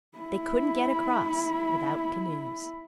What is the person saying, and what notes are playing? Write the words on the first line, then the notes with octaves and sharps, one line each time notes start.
They couldn't get across without canoes.
E4 B5